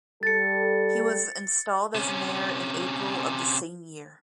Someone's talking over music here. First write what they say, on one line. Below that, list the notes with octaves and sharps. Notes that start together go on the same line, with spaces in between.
He was installed as mayor in April of the same year.
G3 A4 A6 C#7
C3 C#4